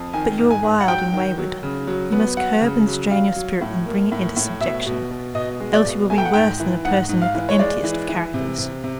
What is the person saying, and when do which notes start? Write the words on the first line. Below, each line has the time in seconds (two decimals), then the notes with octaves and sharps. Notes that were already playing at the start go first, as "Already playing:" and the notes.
But you are wild and wayward, you must curb and strain your spirit and bring it into subjection, else you will be worse than a person with the emptiest of characters.
Already playing: F2
0.13 D#3 G#5
0.38 G#2
0.51 G#5
0.63 G#2
0.81 F#5
0.88 F#3 G5
1.13 D#3
1.38 F#3
1.63 C#3
1.87 F#3
2.12 B3
2.37 F#3 F#5
2.61 C#3
2.86 F#3
3.11 F#3 F5
3.36 F#3
3.61 A2
3.86 A#3
4.12 A2
4.36 A2
4.60 B2 E5
4.86 B2
5.11 B2
5.35 B2 D#5
5.60 G#3
5.73 D5
5.85 B2
6.10 A3 G#5
6.18 G5
6.25 F#5
6.34 G#2 G5
6.60 E3
6.85 G#2 F#5
7.09 G#2
7.22 F5
7.34 E3
7.49 C#5
7.59 G#3 D5
7.84 E3
8.09 E3
8.34 C3
8.58 C3
8.84 C3